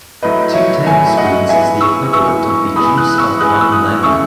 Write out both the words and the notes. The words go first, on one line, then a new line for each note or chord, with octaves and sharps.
Two tablespoons is the equivalent of the juice of one lemon.
A2 F#3 A3 B4 D#5
C#5 E5
A2 F#3 A3 E5 G#5
E5
D#5 F#5
E3 G#3 B3 E5 G#5
C#6 E6
E3 G#3 B3 C#6 E6
E3 G#3 B3 B5 D#6
D#6 F#6
C#6 E6
E3 G#3 B3 D#6 F#6
E6
D#6 F#6
C#3 E3 A3 C#6 E6